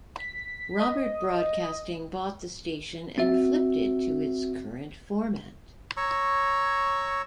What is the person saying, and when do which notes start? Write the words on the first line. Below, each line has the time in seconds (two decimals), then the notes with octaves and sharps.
Robbert Broadcasting bought the station and flipped it to its current format.
0.18 B6
0.80 D#5
3.18 C4 F#4 E5
5.97 C#5 A#5 C#6 E6